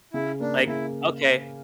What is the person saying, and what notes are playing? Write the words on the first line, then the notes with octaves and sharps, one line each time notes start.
like, okay.
C#3 E4
A#3 D4
C#3 E4